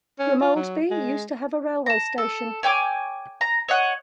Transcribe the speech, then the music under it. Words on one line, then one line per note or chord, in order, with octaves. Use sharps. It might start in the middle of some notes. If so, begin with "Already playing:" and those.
Grimoldby used to have a railway station.
C#4
F4
F#3
G#3
A5 A#5
A4
C#5 G5 G#5 D6
A#5
C#5 D#5 F#5